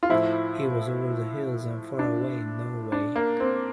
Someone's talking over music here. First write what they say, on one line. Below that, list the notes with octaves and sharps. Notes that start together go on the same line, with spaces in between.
He was over the hills and far away in Norway.
F4
A2 F3 E4
D4
D4
A#3
C4